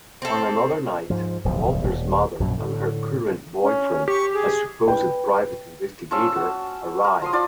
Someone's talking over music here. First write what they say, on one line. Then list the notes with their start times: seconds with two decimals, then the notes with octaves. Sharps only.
On another night, Walter's mother and her current boyfriend, a supposed "private investigator", arrive.
0.22 C4 A4
1.10 G#2 F3
1.45 D1 B1 E2 F3
1.84 D#1
2.40 A#1 F#2 B2
2.58 A2 D3
3.63 C#4
4.08 G4 C#6
4.34 G#4
4.88 B4 G5
6.11 F3 C#4 A5 E6
6.36 F#4
7.04 A#4
7.22 F3 C6 D#6
7.33 F3 F4 D5 C6